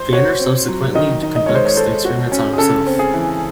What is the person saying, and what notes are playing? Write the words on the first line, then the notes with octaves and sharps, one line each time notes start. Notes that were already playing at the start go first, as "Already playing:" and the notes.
Banner subsequently conducts the experiments on himself.
Already playing: C5
F#4 C#5
C4
F#3
D#3 D#5
D#4
D#5
G#3 C#5
C5
C#5
A4 C5
F#4
C#4
G#4
C#3 A4
C4
G#4
E3